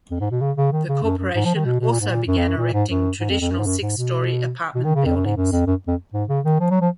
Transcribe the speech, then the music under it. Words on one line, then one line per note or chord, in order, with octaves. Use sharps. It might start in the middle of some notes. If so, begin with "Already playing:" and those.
The corporation also began erecting traditional six-story apartment buildings.
F2
G#2
B2
C#3
C#3
D#3
C#3
F#2
F#2
G#2
F3
D#3
B2
B2
A#2
G#2
A#2
F#2
F2
F#2
A#2
G#2
F#2
G#2
F2
F2
F#2
G#2
F#2
G#2
B2
B2
D#3
C#3
F2
F#2
G#2
F#2
F2
F#2
F2
G#2
C#3
D#3
F3
F#3
F3